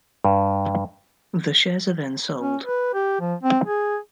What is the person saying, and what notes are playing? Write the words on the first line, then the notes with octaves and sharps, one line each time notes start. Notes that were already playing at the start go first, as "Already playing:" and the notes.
The shares are then sold.
G2
C#4
B4
G4
F3
C4
G#4